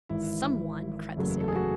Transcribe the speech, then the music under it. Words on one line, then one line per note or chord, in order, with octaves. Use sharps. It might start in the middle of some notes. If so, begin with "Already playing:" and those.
"Some one," cried the sailor.
G#1 G#2 E3 E4
F#1 E2 C#3 F#3 A3
A4
G#4
F#4